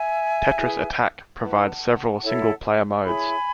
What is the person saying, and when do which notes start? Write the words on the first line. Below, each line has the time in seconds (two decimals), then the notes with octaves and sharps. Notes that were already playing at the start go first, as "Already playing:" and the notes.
"Tetris Attack" provides several single-player modes.
Already playing: E5 G#5
0.56 E4 G#4 B4
1.39 E4 B4 F#5 A5
2.23 E4 A4 C#5
3.05 E4 G#4 C#5 G#5 B5